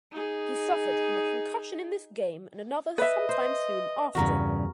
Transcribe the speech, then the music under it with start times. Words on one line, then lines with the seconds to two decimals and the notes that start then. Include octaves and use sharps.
He suffered from a concussion in this game and another some time soon after.
0.11 D#4 G#4
2.98 B4 D#5 E5
3.29 C5
4.15 E2 G2 C#3 F#4 A#4